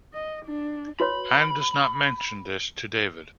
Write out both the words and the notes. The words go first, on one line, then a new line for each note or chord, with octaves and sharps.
Ann does not mention this to David.
D#5
D4
F#4 B4 C#5 B5